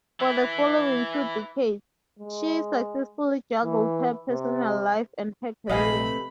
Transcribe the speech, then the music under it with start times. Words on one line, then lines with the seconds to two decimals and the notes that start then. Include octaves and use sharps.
For the following two decades, she successfully juggled her personal life and her career.
0.20 E3 E4
2.19 G#3
3.64 E3
4.30 C3
5.70 A#1 C3 E3 A3 D#5 F5 G#5 B5